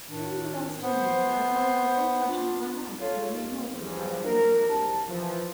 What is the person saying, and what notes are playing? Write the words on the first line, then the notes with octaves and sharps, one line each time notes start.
During the last two years I have allowed the whole fashion of my life to be remodelled by this intimacy.
A2 D#3 D4
B3 C5
D4 F4
F4 A4 C#5
D#2
E2 G2 E3 F3
F#3 D4 A#4
C2 A5
E3 F3